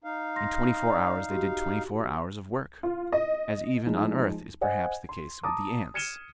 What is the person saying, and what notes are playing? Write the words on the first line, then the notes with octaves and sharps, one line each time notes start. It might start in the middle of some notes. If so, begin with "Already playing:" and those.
In twenty-four hours they did twenty-four hours of work, as even on earth is perhaps the case with the ants.
D#4 F5
C6 A#6
D5 A#5
F#4 G4
F4
D#5
F3 G#3 D#4
C5 D#5 F#5 G#5
C6
A5 A#5 D6 D#6
F6 G#6 C#7 D#7 E7 G7